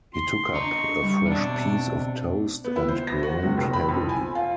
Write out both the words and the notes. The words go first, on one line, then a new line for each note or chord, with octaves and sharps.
He took up a fresh piece of toast, and groaned heavily.
C6
D4 D#5 A#5 C#6
G3
B2 C4 D4
B3
E4
C5
A#6
F#4
C#2
F1
B5
F2
G#5
F4